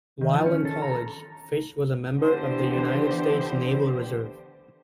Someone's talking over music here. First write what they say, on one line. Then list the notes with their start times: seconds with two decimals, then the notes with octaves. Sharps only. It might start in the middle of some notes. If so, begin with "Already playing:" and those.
While in college, Fish was a member of the United States Naval Reserve.
0.21 D#3
0.34 F3
0.46 C#4
0.65 A4
0.82 A#5
2.15 D3 E3 B3 G4 C5